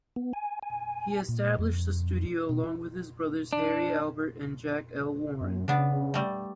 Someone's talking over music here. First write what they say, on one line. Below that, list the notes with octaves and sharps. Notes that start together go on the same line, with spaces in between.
He established the studio along with his brothers Harry, Albert, and Jack L. Warner.
B3
G#5
G#5
A#2
F2
B2
E4
D4
F#2
C#3 B3 D4
G3 A3